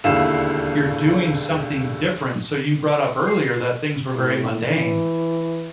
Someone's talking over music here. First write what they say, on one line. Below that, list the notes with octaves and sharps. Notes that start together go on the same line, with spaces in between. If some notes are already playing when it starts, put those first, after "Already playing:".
you're doing something different. So you brought up earlier that things were very mundane,
E1 D#2 D3 E4 F5 E7
C7
A2
E3